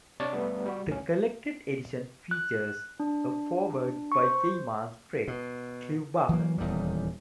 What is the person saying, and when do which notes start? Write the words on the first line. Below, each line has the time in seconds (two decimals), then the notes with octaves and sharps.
The collected edition features a foreword by Gaiman's friend Clive Barker.
0.20 C3 D4 C#5 D5 A6
0.33 G3 A3 B3
0.66 G3 F#4
0.90 D2 C#4
2.31 F#6
3.00 D4
4.12 C#6
4.24 C5
5.28 B2
6.29 E3 F#3 G#3 A#3
6.58 D#1 E2 D#3 G3